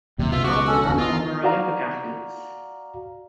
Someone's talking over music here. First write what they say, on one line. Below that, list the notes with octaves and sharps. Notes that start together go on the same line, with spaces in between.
Some of them are former Olympic athletes.
F#1 D#2 C3 G3
C#2 B2 F4 E5
F#4 C#6 D6
C#4 A4
E2 D3 E3 C#4
E3 B3 F4 D#5
F#4 D5 F5 A#5